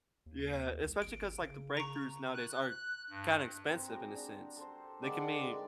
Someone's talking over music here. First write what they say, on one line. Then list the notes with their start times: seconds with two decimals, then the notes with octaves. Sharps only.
Yeah, especially 'cause, like, the breakthroughs nowadays are kinda expensive in a sense. They can be
0.26 D#2
0.83 C2
1.02 G#1 D7
1.40 C#3
1.77 A#5 C#6
2.34 F#6
2.69 F#6
3.10 G2
3.67 C4 A#4
3.88 G#3 F#4 G4
4.14 D4
4.57 A4 C5
5.02 D3 D#3 G#3 D4 D5